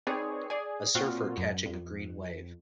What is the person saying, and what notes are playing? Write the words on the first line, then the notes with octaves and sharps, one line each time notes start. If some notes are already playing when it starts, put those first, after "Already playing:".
A surfer catching a green wave.
C4 D#4 G#4 B4 C#5 D5
G#4 D5
A#2 C4 F4 F#4
F#2
F2